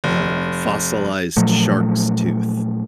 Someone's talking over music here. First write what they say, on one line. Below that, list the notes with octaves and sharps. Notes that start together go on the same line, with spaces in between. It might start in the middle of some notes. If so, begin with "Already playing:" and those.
uh, fossilized shark's tooth.
F1
A#2 F3 F#3 A3